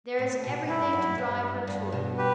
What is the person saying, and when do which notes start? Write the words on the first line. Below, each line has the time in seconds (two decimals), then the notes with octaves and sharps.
There is everything to drive her to it.
0.19 A2
0.44 B2
0.69 G2 E4
0.93 F#2
1.18 G2
1.67 G2
1.92 B2
2.18 G4 B4